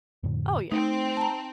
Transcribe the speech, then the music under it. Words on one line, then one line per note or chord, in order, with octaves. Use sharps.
Oh, yeah.
F2 A2 D3
A3 C4 D#4
A5 A#5